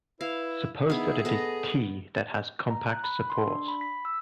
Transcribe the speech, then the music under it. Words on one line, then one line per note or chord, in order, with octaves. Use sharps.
Suppose that it is "T" that has compact support.
E4 B4 F5
B3 D#4 E4 G#4
B3 A4 D#5
A#5
F#6
B5
C6
D4
B5
B6
E6